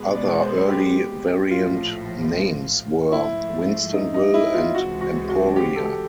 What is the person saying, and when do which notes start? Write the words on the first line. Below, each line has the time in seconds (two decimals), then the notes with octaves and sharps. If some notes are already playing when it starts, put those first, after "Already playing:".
Other early variant names were "Winstonville" and "Emporia".
Already playing: B2 G#3 B3
0.15 D5
0.42 C5
0.69 G4
1.51 A#1 A2 F3 F4
3.12 G#2 F3 A3 E4
3.93 D#4
4.14 D#4
4.34 E4
4.54 F4
4.74 C#2 C3 E3 G#3 F#4
5.01 F#4
5.28 F#4
5.56 G4
5.76 A4